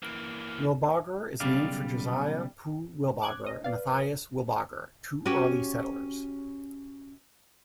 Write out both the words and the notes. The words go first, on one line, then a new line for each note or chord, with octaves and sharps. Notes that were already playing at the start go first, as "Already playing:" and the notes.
Wilbarger is named for Josiah Pugh Wilbarger and Mathias Wilbarger, two early settlers.
E3 A#3
B1 C#3 G3 D5 F5
D6 F#6 G#6
C#5 D#5
B4 D5 F5
C#4 F#4 G4